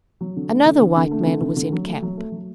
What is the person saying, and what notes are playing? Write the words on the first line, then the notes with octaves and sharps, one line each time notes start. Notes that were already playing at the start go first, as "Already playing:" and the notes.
Another white man was in camp.
F#3
D3
A3
D3
D3
D3
A3
D3
D3
D3
F#3
A3
F#3
A3
F#3